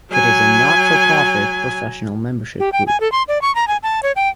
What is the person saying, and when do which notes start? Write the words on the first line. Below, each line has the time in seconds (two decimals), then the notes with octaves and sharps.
It is a not-for-profit professional membership group.
0.12 F#3 G#5
2.60 G4
2.73 G5
2.87 G#5
3.00 A4
3.12 C6
3.28 D5
3.42 C#6
3.55 A#5
3.68 G#5
3.83 A5
4.03 C#5
4.16 G5